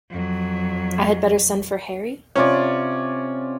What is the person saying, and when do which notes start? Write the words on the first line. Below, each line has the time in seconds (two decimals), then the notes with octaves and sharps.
I had better send for Harry?
0.10 F2 F#3
2.36 C3 C#4 F4 D5